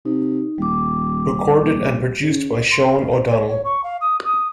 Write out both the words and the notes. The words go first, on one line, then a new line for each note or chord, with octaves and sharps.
Recorded and Produced by Sean O'Donnell.
C3 D#4
D#1 G3 D6
A#1
C#3
C6
F5
C5
C#5
C#5
C#6
F5
D#6
D#6